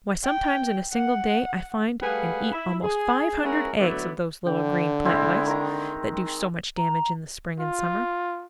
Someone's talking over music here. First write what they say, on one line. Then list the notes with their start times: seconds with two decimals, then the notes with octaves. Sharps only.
Why, sometimes in a single day I find and eat almost five hundred eggs of those little green plant lice that do so much damage in the spring and summer.
0.24 G5
0.93 F#5
2.01 G3 A3 G#4 B4 F5 F#5
2.53 E4
2.82 G#4
3.43 G#3 C#4 E4 G#4 A#4 F#5
3.78 D3 F#3 A3 B3 E4 D5
4.47 D3 G5
5.05 G#3 C4 E4
5.46 D#3 A#5
6.77 A#5
7.59 F4